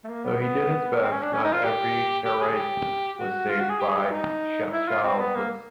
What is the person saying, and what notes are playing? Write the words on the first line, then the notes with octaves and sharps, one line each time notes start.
Though he did his best, not every Karaite was saved by Shapshal's list.
A3
A#3
B3
B3
C4
C#4
D4
C#4
D#4
F4
G4
G4
G#4
G4
F#4
F4
F#4
G#4
G4
G#4
G4
D#4
E4
F4
C4
B3
A#3